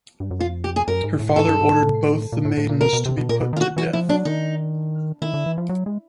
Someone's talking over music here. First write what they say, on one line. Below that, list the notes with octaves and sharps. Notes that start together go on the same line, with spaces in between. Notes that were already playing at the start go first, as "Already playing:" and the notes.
Her father ordered both the maidens to be put to death.
G2
F#2
F2 F4
G4
G#4
F#2 A#4
G#2
A2
G#2 A4
G2
G#2
A2
A#2
A2
A2
A#2
B2 A#4
B2
C3
B2
A#2 A#4
B2
D#3 F4
F#4
E3 F#4
F3 E4
F#3 D4
D#3 D#4
D#3 E4
D3
E3
F3
F#3
G#3